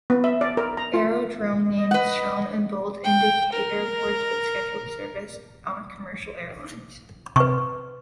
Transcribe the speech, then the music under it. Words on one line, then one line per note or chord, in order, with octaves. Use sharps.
Aerodrome names shown in bold indicate airports with scheduled service on commercial airlines.
B3
E5
D5
A#4
A#5
F4
D#5
B4 F#5
G5
A#4
C3 B4 C#6